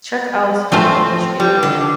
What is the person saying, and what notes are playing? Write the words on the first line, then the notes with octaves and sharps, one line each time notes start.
Check out the crotch area.
F3 A3 C4 F4 C5
G3
D3